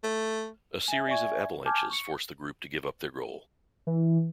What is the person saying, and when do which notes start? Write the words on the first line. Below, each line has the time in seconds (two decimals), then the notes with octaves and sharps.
A series of avalanches forced the group to give up their goal.
0.03 A3
0.88 E5 G#5
1.08 D5 E5 G#5 C#6 G#6
1.66 G#5 A5 D6 F6 G6 G#6
1.90 C#6 C#7
3.87 E3